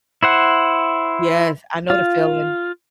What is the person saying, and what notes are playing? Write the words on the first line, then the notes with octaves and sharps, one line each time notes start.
Yes. I know the feeling.
E4 C5 F#5
F4